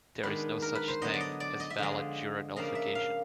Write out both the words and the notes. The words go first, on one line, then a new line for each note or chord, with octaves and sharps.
There is no such thing as valid jury nullification.
D#3 G#3 B3 D4 B4
A#4
B4
C5
D3 F#3 B3 D4 D#5
D5
D#5
D5
D#5
E5
D3 F3 G#3 D#5
C#3 F3 A#3 D4 D#5
E5
F5